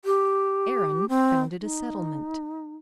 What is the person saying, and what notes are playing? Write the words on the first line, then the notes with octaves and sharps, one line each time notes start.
Aaron founded a settlement.
G4
C4
D#4